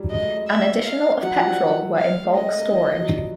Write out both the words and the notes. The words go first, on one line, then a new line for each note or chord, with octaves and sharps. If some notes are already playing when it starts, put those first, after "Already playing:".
An additional of petrol were in bulk storage.
Already playing: F#3 G3
G#3 D#5
A3
G#3
E5
F5
F#3 F#5
F3
G3
F5
A3
G#3 D#5
A3
A#3
E3
F3
F#3
G3